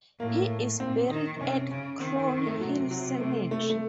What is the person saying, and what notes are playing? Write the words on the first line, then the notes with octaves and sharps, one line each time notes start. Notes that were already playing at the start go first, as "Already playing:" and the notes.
He is buried at Crown Hill Cemetery.
A2 A#3
A#2 C4
D#3 D#4
C3 C#4
C#3 C#4
D#3 C4
C4
C4
A3
C3 F#3
F#3
A3
A3
A3